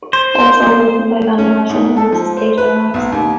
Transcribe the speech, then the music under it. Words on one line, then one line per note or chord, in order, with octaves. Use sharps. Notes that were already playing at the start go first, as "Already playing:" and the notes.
All songs written by Van Morrison unless stated otherwise.
C5
C#4
G#2
A4
F3
C5
B4
B1
D#2